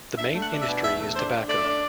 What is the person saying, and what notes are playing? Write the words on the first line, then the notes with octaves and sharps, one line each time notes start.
The main industry is tobacco.
D4 E5
A3
F#5
D4
E5
B2
E2 E5
A3
D4 C5
D4
A3 D5
D4